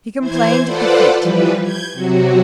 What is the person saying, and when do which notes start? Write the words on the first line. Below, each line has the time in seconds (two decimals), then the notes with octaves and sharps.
He complained of the heat.
0.19 E3 C5 G#6
0.64 F4 A4 B4 C5 D5 F#5
1.20 E3 F3 G3 B4
1.61 G6 G#6
1.93 C3 F#3 F#4